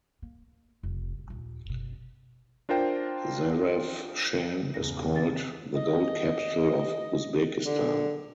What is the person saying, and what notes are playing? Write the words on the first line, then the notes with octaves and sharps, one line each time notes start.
Zarafshan is called "the gold capital of Uzbekistan".
A#3
F1 B1
G#1
A#1 D#2
F#1 B2
D4 F4 A#4 C5 G5
E2 G#2 C#3 G#4 A#6
C4 A6
D#5
D3